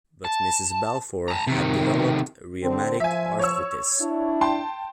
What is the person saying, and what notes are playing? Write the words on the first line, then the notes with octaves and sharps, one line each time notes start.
But Mrs Balfour had developed rheumatic arthritis.
A5
A5 A#5
C3 D#3
D3 C4
F3 E5 G#5
C#5 C#6 E6
D4 E4
G5 A5 C6